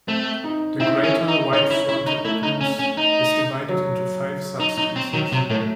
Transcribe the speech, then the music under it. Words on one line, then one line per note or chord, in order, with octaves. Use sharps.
The greater white-fronted goose is divided into five subspecies.
A3 C4
D#4
C4 E4
C#4
D#4
C#4 D#4
E4
E4
D#4
A3 E4
D#4
C#4
C#4
D#4
F#3
D#4
D#4
C4
D#3 F#3
C3
A2 A3